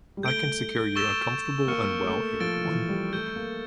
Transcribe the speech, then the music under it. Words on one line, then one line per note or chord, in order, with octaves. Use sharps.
I can secure you a comfortable and well-aired one.
G3
A3 G6 D7 G7
C#6 E6 A6 E7 G7
A#3 C#6 F6 C#7
A3
F3 E6 A6 D7 G7
E3
G3
A3 C#6 E6 G6 D7 G7
A#3